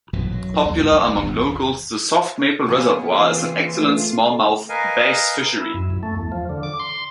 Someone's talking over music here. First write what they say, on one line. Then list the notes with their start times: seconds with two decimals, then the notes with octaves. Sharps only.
Popular among locals, the Soft Maple Reservoir is an excellent Smallmouth Bass fishery.
0.13 A#1 F#2 B2 E3
0.32 F#3
0.65 D#2 F#3 A#3
0.78 D2 G2 C#3
0.91 G1
1.16 D#1 G#1 E2
2.67 C#3 A#3 B3 G#4
3.11 E3 C4 C#4 F4
3.78 A3 F4
4.69 A#4 B4 D#5 F5 G#5
5.60 E4
5.74 F#2
5.90 F#2
6.03 A3
6.16 E2
6.32 F3
6.49 D3
6.63 D6
6.80 C6